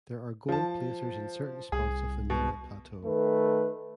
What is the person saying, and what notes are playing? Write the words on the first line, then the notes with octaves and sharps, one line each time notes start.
There are gold placers in certain spots of the Nera Plateau.
F3 A5
C2 G#4
B2
D#3 A3 B4